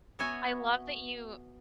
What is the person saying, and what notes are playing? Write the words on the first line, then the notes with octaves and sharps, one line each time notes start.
I love that you
B3 F#4 C#5 E5 G#5